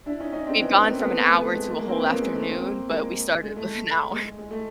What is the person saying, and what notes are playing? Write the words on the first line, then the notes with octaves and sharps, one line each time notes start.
we've gone from an hour to a whole afternoon, but, we started with an hour.
D4 E4
C#4 D#4
C#4 D#4
C4 D4
B3 C#4
B3 C#4
A#3 C4
A3 B3
A3
A3
G#3
A3
G#3 A#3
A#3 C4
B3 C#4
A#3 C4
G#3
A3
A#3 C4
G#3 A#3
G#3
A3
G#3
G#3
A3